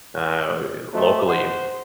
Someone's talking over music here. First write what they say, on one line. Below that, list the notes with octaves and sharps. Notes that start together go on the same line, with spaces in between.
uh, eh, locally.
A3 C5 D#5 C6
C5 F#5